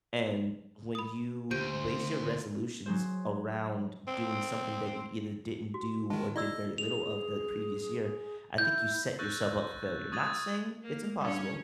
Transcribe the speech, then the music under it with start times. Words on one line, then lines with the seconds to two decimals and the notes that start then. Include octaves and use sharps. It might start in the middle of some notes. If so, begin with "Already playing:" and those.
And when you base your resolutions around doing something that you either didn't do or did very little of the previous year, I think you set yourself up for failure. Not saying it's impossible
0.95 B5 D#6
1.51 D2 G4 C5 G6 D7
2.86 F#3 G#4 C5
4.07 C4
5.74 F#4
6.10 D#3 G#3 A5
6.36 E4 D5 D#5 E6
6.78 G#4 F7
8.58 E4 G6
9.19 C#6 E6 F#6 G6 A6 A#6
10.12 C#6 D#6 E6 G#6 A6 D#7
10.83 A#3
11.21 G3 C#4 D4 C#5